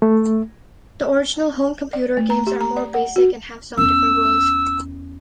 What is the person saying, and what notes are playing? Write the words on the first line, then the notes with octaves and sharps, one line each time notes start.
The original home computer games are more basic and have some different rules.
A3
D5
A3
A#5
G4
A#5
D5
F#5
F#4
E2 C#4 E6